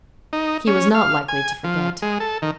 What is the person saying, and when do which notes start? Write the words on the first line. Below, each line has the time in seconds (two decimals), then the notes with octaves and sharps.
He was not likely to forget.
0.33 D#4
0.67 C#4
0.95 F5
1.28 G#5
1.64 F3
2.02 G#3
2.20 A4
2.42 D#3